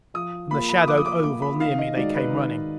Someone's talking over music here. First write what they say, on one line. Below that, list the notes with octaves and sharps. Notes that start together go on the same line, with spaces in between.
From the shadowed oval near me they came running.
F3 D#6
A#3 F4 B5
B5
D#6
F3 D6
D#6
D6
A#3 F4 D6
B5
D#3 F5
D#5
G#3 D#4 F#4 D5
B4
D#3